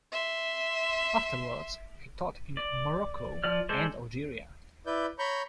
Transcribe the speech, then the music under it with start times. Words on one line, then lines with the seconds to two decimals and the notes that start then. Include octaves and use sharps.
Afterwards, he taught in Morocco and Algeria.
0.11 E5 C6
2.57 D5
3.44 F3 D5 F6
3.69 G#3 A4 C5 D5
4.86 E4 B4 D5 G6
5.19 C#5 A#5 B5 C#6 G6